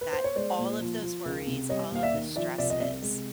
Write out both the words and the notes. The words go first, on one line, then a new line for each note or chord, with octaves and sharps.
That all of those worries, all of the stresses.
B4
C5
C#5
G#3 C5 D5
A#2
F3
F3
C#2
C3
G3 C#5 D#5
D#2 F5
D5 E5
D#3
F3 D5 E5
C2 D5 E5
D#5
C3 D5 E5
G#3